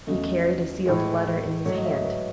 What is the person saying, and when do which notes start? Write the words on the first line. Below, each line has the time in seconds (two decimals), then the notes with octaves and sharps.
He carried a sealed letter in his hand.
0.07 E2 C#3 F#3 A3 D#5
0.86 A2 E3 G#3
1.65 G#2 F#3 A3 C#5
1.75 D#5
1.85 E5
1.95 D#5
2.05 B4